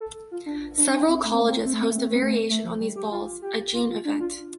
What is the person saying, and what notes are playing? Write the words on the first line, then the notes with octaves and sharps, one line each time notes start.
Several colleges host a variation on these balls, a June Event.
A4
F4
D4
D4
D4
C4
A3
C4
A3
C4
A3
C4
A3
C4
A3
C4
A3
C4
A3
A3
F3
G3
G4
F4
G4
F4
F4
D4
F4